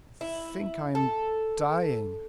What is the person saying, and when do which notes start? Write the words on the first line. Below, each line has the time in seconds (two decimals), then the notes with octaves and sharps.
"I think I'm dying."
0.21 E4
0.95 A4